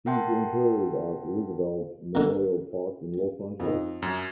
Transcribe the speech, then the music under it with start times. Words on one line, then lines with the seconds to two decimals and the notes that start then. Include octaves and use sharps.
He is interred at Roosevelt Memorial Park in Los Angeles.
0.06 A#4 E5 F#5 G5 A5 C6
2.15 D3 A#3
3.60 F2 D#4
4.02 F#2